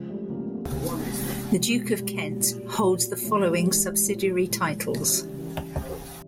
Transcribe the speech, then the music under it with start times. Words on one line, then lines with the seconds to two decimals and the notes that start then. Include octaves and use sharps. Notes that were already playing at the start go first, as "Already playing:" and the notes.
The Duke of Kent holds the following subsidiary titles.
Already playing: C#3 F3 G#3
0.08 G3 A3
0.29 C#3 F3 A#3
0.44 B3
0.57 G#3 A#3
0.71 C3 E3 A#3 C4
0.82 B3 C#4
0.92 G3
1.03 G#3
1.14 C3 E3 G3
1.56 B2 F#3 G#3
1.84 G#3
1.97 B2 F#3 G3
2.40 A#2 F#3
2.82 A#2 F#3
3.24 A2 E3 G#3
3.38 G3
3.52 G#3
3.65 A2 E3
4.08 A#2 F3
4.50 A#2 F3 G#3
4.91 C#3 E3 G3
5.33 C#3 E3